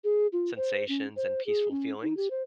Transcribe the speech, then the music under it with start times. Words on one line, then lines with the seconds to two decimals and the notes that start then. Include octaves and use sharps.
sensations and peaceful feelings.
0.04 G#4
0.33 F4
0.57 C5
0.89 C#4
1.16 C5
1.46 G#4
1.71 C#4
2.02 D#4
2.17 G4
2.31 C5